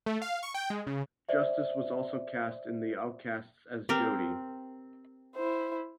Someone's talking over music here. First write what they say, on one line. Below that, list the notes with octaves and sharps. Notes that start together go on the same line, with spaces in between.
Justice was also cast in The Outcasts as Jodie.
A3
F5
C#6
G5
G#3
C#3
C5 D5 E5
C4 G4 A#4
E4 C5